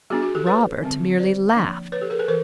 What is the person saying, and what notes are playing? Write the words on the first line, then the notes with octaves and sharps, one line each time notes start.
Robert merely laughed.
G3 B3 D4 F#4 G#4
F#4 G#4
G4 A4
B4 C#5
D3 G3 C4
C5 D5
F3 A#3 D4
B4 C#5
G4 A4
G#4 A#4
A4 B4
E3 A#4 C5